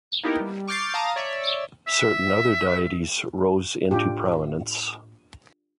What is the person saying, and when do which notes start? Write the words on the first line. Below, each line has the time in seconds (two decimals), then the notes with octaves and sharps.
Certain other deities rose into prominence.
0.23 A#3 B3 D#4 E4 G4 A#4
0.40 G3
0.68 C#6 D6 F6 G6 A6 C7
0.94 F5 A5 A#5 D#6
1.16 C#5 D5 E5
1.87 E5
3.91 A2 D4 F4 G4